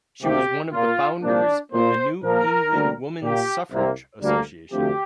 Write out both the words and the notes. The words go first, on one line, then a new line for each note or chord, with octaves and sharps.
She was one of the founders of the New England Woman Suffrage Association.
D2 C3 A#3 G4
A#2 A#3 F4
C2 A#2 F3 A#3 D4
A#2 A#3 C5
A#2 F3 A#3 A#4
D2 D3 G3 A#3
A#2 A#3 G4
C2 C3 A#3
D2 D3 G3 A#3
D2 C3 F3 G4